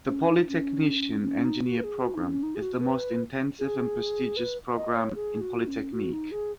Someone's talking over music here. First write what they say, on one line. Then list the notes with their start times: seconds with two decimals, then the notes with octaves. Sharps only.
The Polytechnicien engineer program is the most intensive and prestigious program in Polytechnique.
0.08 C#4
0.28 D#4
0.48 C#4
1.22 B3
1.25 C#4
1.45 D#4
1.64 F#4
1.78 B4
1.84 G#4
2.04 F#4
2.15 D#4
2.23 C#4
2.43 D#4
2.55 G#4
2.62 F#4
2.81 B4
3.59 G#4
4.37 B4
4.76 D#5
4.95 C#5
5.15 G#4
5.41 F#4
5.67 C#4
5.92 F#4
6.13 D#4
6.32 G#4